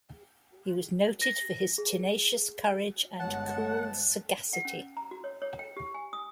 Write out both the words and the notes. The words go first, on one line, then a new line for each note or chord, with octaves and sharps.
He was noted for his tenacious courage and cool sagacity.
A#6
G#4
G1 G#3 C#5 F#5 A5
F#5
C#4
A#5
F#4
C#5
C#5
G5
G4
G#5
D#6